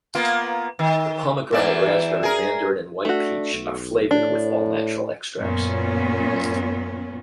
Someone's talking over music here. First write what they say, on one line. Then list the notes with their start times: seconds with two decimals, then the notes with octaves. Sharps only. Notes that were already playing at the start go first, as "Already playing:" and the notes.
The Pomegranate Raspberry, Mandarin, and White Peach are flavored with all natural extracts.
0.15 A#3 B3 F4
0.79 D#3
1.53 E2 E3 D5
2.23 G#4 A#4
3.05 A3 D4 F#4
3.54 B1
4.11 A2 D4
5.38 F#2 A#2 B3 C#4